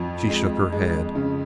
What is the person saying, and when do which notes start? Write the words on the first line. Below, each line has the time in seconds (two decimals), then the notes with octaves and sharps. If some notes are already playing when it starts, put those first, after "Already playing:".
She shook her head.
Already playing: F2 F3
0.29 G#3
0.72 G#3
1.15 C#3